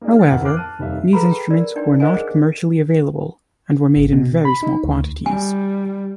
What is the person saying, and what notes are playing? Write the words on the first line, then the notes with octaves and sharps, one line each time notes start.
However, these instruments were not commercially available and were made in very small quantities.
A#3 D#4 G#4 D5
F6 A6
D#1 F2 E4 A#4 F#5
D6 F6 F#6 C7
A5 D#7
F1 D#2 G3 D#4 E5 F5
G#4 A4 B4 F5 A#5 B5
G5
A#4 D5
D4 D#4 D5 G5
A#4 C5 D#5 F5 F#5 G#5
G#4
G#1
B2
B5
D#4
D2
G3 G#5